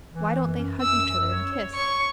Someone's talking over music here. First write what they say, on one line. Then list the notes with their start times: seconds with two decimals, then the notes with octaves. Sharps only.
Why don't they hug each other and kiss?
0.12 E3
0.36 F#2
0.58 C#4
0.81 F#2 E6
1.05 F#2
1.28 C#5
1.52 C#5
1.74 C#5 C#6